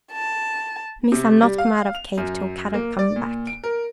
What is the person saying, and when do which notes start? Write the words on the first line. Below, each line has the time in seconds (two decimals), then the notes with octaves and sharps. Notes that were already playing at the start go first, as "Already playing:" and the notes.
Missa not come out of cave till Kadok come back.
0.12 A5
1.12 C3
1.42 G3
1.58 F5
1.95 F7
2.17 F#2
2.74 A#3
2.99 D5
3.16 A#2
3.47 D7
3.64 A#4